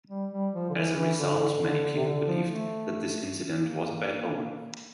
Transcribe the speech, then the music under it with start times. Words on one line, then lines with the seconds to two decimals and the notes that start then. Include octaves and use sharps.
As a result, many people believed that this incident was a bad omen.
0.09 G3
0.32 G3
0.53 F3
0.70 D3
0.75 E3
0.96 E3
1.18 D3
1.39 D3
1.61 D3
1.83 D3
1.96 C3
2.04 D3
2.26 F3
2.48 A3
3.56 A#3